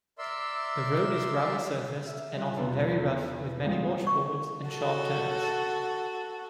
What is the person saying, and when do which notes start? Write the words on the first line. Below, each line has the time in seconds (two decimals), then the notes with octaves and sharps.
The road is gravel-surfaced, and often very rough with many washboards and sharp turns.
0.18 A#4 D5 E5 C6 E6
2.07 E5
2.35 G3 F4 D5 F#6
2.57 E2 D4 F4 B4
3.64 F2 A#2 G3 G#3 A#3 F4
4.07 C#6
4.69 F#4 A4